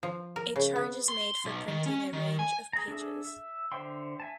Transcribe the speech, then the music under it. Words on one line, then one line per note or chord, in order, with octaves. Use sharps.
A charge is made for printing a range of pages.
F3
A#4
C#3
B3
C6
B1
D#3
C#4
D#3
G#5
G#4 A#5
D4 G#4 A4 E5
E5
D3 C5 E5 G5 C6
E5 G#5 A5